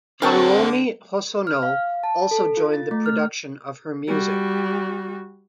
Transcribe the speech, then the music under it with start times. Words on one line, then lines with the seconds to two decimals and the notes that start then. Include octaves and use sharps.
Haruomi Hosono also joined the production of her music.
0.22 D3 C4 D4 G#4 A#4 F#5 G5 A5
1.47 F6
1.63 F5
2.03 A5
2.31 A4
2.57 F4
2.73 A6
2.91 A3
3.06 F6
4.08 G3 F#4